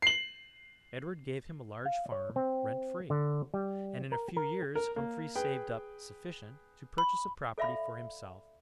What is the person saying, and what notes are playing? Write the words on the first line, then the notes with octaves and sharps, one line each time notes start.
Edward gave him a large farm, rent free; and in a few years Humphrey saved up sufficient to purchase a property for himself.
C7 F#7
F5
C#5
C4
D3
G3
A#4
A#4
A#4
A#3
G#4 B4 G5
B5
A4 D5 E5 F5 B5